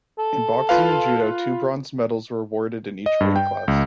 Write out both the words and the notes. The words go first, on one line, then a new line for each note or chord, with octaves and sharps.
In boxing and judo two bronze medals were awarded in each weight class.
A4
F4 B4 F5
D#5
G2
G5
C#2